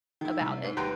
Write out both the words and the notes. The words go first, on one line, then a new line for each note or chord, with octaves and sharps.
about it.
D#3 E4
C2
G#2
D#2 G3 B4 G5 A#5 C6